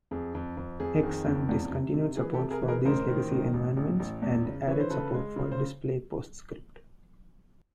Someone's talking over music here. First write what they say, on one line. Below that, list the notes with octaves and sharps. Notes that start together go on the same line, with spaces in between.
Xsun discontinued support for these legacy environments, and added support for Display PostScript.
F2 G#4
F2
F2
F2 G#4
D#3
F2
E2
C3
C3
E3 G#4
G4 A4
C3
G#4 A#4
E3
G#4 A#4
A1 A#4 C5
D#3
A1
A1
A1
A1
E2
C#3
E3 C#5
C5
C#3 A4 B4
G#3
C#3
C5